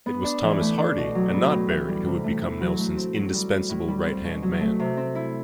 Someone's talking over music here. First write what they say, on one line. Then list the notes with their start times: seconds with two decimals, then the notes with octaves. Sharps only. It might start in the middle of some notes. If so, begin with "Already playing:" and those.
It was Thomas Hardy and not Berry who would become Nelson's indispensable right-hand man.
0.06 B3
0.24 D4
0.43 E3
0.61 A3
0.78 D4
0.97 B2
1.15 F#3
1.33 B3
1.52 A2
1.70 E3
1.88 G3
2.06 C3
2.24 A3
2.43 E4
2.60 F#3
2.79 A3
2.97 C4
3.15 F#3
3.33 G3
3.52 C4
3.69 A2
3.88 G3
4.06 C4
4.25 B2
4.42 F#3
4.61 A3
4.80 C3
4.97 C4
5.15 E4